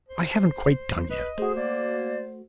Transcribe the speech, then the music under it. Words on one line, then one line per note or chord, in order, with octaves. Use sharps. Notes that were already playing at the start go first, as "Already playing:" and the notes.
I haven't quite done yet.
C5
B4 D#5
A3 F#4 G#4 C5
A#3 D5